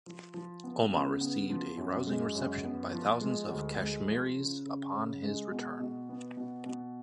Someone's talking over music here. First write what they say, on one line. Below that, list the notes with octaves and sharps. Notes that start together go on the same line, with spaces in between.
Omar received a rousing reception by thousands of Kashmiris upon his return.
F3
F3
B3
C#3
B3
F3
F#2
G#3
F#2
B3
F3
G#3
D2
G#3
F3
C#3
C#3
C#3
G#3
B2
B2
B3
B2
B2